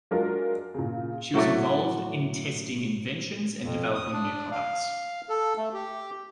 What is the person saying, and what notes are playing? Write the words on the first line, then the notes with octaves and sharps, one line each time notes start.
She was involved in testing inventions and developing new products.
F#3 G#3 D4 F4 A#4
A#2 C#3
A2 F#3 A3 D5
F2
D#6
D4
F5
A4
A3
G4